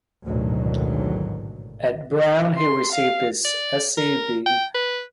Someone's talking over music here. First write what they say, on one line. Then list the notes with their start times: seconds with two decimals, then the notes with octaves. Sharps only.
At Brown, he received his Sc.B.
0.24 A1 D2 G#2 B2 D#3 F#3
2.57 C6
2.92 F5
3.45 D5
3.97 A#4
4.46 G5
4.75 B4